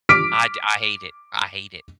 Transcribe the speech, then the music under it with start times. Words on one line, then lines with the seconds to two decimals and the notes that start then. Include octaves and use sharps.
I d I hate it, I hate it.
0.09 D6 F6 B6 D7